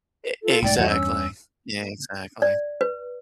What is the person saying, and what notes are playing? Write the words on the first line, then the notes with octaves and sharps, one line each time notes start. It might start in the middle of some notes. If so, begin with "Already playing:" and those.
Ex exactly. Yeah, exactly.
F4 A4
B1 G#2 A3 D5 G5
E2 G2 F#4 D#5 F#5
C#4 E6
D5
B4